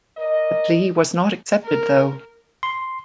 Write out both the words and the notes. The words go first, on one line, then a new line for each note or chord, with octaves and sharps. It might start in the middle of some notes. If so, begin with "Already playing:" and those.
The plea was not accepted though.
A#4 D5 D#5
A#4
C6